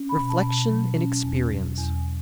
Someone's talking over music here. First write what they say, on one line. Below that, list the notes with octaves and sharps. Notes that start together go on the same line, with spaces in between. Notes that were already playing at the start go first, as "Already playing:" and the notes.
Reflection in Experience.
Already playing: C#4
B5
B2
A5
B2
A5
F#3
C#4
E2
F#3
E2